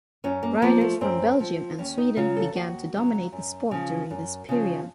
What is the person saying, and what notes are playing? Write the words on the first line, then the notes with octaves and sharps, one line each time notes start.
Riders from Belgium and Sweden began to dominate the sport during this period.
F#2 C#4
A#3
F3 A#3
A3
F#2 C4
F3
D#2 C#4
D#4
C#3 F#3 F4
A4
D#2 F#4
C#3 F#3
F#2
C#3 F3
F#2
C#3 F3